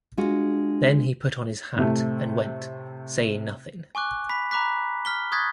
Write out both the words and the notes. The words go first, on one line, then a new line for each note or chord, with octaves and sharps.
Then he put on his hat and went, saying nothing.
G#3 D4 F4 F#4
A2 C3 A3
G#5 C#6 D6 F#6
B5 B6
A#5 B5 D6 F#6 B6
F6 B6 G7
C#6 D#6 F#6 G#6 A6 B6